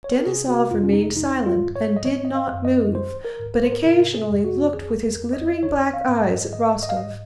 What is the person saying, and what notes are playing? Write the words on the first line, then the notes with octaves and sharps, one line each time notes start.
Denisov remained silent and did not move, but occasionally looked with his glittering black eyes at Rostov.
C#5
C5
A#4
C3 G#4
F#4
F2 F4
C#4
D#4
D#3 D#4
F4
G#2
C#5
D#5
D#3 C#5
D#5
F5
F#2
D#5
D#3 C5
A#4
G#2
A#4
C5
A#4
C3 A#4
G#4
F2
F#4
D#3 G#4
A#4
F2
D#5
D#3 C#5
F5
G#2
D#5
D#3 D#5
D#5
F5
G#2 D#5